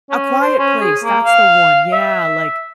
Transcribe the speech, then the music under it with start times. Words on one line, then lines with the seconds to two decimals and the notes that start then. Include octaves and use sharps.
A Quiet Place, that's the one, yeah, like,
0.10 C#4
0.41 C5
0.59 C#4
0.81 G#4
1.04 A#3
1.25 F5
1.93 E5